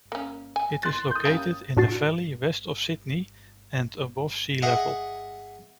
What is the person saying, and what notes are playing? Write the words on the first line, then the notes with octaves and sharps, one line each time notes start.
It is located in a valley west of Sydney and above sea-level.
A#3 C#4
G#5
C6 F#6 A6
D#6 G6
G3 A#3 C#4
A2 D4 F#4 A6 C7
G#4 D#5 E5 F#5 C#6 D6